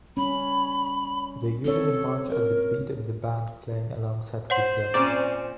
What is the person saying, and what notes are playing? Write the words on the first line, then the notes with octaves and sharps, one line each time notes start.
They usually march at the beat of the band playing alongside with them.
G3 C#4 B5
C4 A4 C#5
A#4
C5 C#5 F#5 C6
A#2 C4 C#4 D5